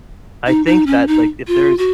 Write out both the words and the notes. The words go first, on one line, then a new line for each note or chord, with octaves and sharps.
I think that, like, if there's
D#4
D#4
C#4
D#4
F4
F#4